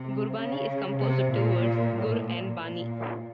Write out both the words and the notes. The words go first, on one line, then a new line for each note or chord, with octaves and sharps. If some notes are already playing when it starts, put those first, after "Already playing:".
Gurbani is composed of two words: 'Gur' and 'Bani'.
Already playing: C3
C#3
C3
A#2
A2
A#2
A#2